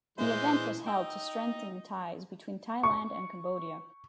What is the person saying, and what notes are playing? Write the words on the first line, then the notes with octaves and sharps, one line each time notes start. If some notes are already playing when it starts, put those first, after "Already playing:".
The event was held to strengthen ties between Thailand and Cambodia.
A#2 E3 G#3 E4 C5
D#4 G5 E6
C#6